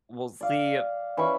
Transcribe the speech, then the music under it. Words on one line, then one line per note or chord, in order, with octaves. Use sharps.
We'll see a
D5 F5
E3 C#4 B5 C#6